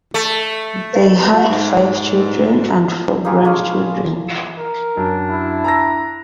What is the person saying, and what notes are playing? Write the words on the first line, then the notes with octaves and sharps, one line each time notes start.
They had five children and four grandchildren.
A3
G#2
D#4 F4 G4 G#4
G#3 C#4 D4 F4
B4
F4
A#4
F#2 D4
E4
A#5 E6 A#6